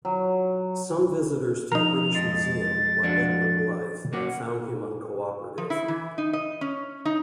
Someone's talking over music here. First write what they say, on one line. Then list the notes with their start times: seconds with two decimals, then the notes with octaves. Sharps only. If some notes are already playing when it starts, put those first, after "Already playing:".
Some visitors to the British Museum like Edward Blyth found him uncooperative.
0.05 F#3
1.72 F3 D#4 A#4 F7
2.15 F2 G#3 A6
3.03 F3 D4 F#4
4.13 A#3 C#4 F#4 D6
5.58 F3
5.70 E4
5.88 E3
6.18 D#4
6.33 D#5
6.61 C#4
7.05 D#4